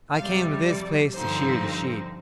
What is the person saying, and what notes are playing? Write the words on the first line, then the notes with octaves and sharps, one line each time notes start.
I came to this place to shear the sheep.
F2 C3 G3 F5
D5
G2 D3 F3 C4 D#4 C5